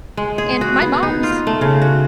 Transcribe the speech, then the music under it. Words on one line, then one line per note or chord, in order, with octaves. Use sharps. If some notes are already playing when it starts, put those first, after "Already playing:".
And my mom's
G#3
G#4
F#4
B3
D#4
F4
A3
C#3
F#4